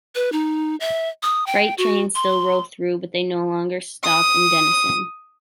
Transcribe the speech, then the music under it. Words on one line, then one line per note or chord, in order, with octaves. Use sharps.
Freight trains still roll through, but they no longer stop in Dennison.
B4
D#4
E5
D#6
G5
F#4
C6
D#6